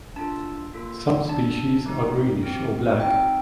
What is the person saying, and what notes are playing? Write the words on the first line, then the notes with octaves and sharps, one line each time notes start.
Some species are greenish or black.
D4 F4 A4 A5
A#3 F4 A4
D4 A4 A5
A3 D#4 G4
C4 G4
C4 D#4 A4 G5